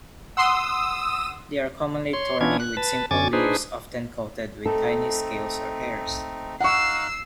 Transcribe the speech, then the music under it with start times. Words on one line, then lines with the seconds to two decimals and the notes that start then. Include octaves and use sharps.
They are commonly thorny, with simple leaves often coated with tiny scales or hairs.
0.37 F#5 C6 D#6 E6
2.13 C#5 C6
2.41 E3 B3 C#4 D4 F4 G#6
2.60 F#6
2.77 B4 A5
3.11 F#2 D3 C#4 G#5 D6 A6
3.33 D4 D#4 G#4 B4 C5
4.66 A3 C4 D#4 A4
6.61 D#4 F5 F#5 C#6 E6 F#6 C7